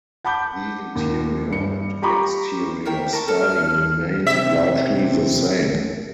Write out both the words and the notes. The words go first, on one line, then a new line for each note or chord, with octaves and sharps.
The interior and exterior styling remained largely the same.
F#5 A5 B5 D6 G6
D#2
G2 C#7
F4 G4 A#5 B5 C#6 D6
E4 A#4 G5
A#4 A5 C#6
A4 F6
C3 E5